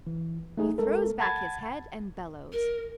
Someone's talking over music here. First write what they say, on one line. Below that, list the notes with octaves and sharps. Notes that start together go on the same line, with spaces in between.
He throws back his head and bellows.
E3
A3 D#4 G#4
G#3 A4 A#4
F#5 A5 B5 G#6 A6
A#4